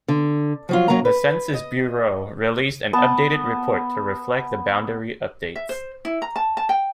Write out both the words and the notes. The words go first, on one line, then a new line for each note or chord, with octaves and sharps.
The census bureau released an updated report to reflect the boundary updates.
D3
F3 F#3 F4
F#2 D#3 F#3 A#3 A#4 A#5
B4
D#5
B3 A5
E5
C5
E4
A#5
A5
A5
G5